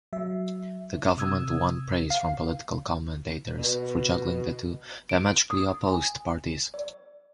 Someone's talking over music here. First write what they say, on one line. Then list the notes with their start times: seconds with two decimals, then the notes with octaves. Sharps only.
The government won praise from political commentators for juggling the two diametrically-opposed parties.
0.13 F#3 E5
1.17 C3 D#6 E6 G#6
2.10 F5
3.58 B2
5.09 D7
5.50 D#6
5.87 G#5
6.74 D5